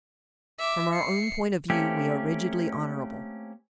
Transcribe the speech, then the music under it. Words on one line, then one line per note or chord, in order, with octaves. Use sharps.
From our own point of view we are rigidly honourable.
E5 D6
C7 C#7
A3 A#3 C4 C#4 G4